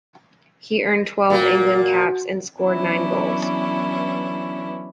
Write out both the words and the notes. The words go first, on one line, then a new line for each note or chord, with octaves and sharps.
He earned twelve England caps and scored nine goals.
A#2 A#3 F#4
E3 F#3 B3 C#4 D4 E4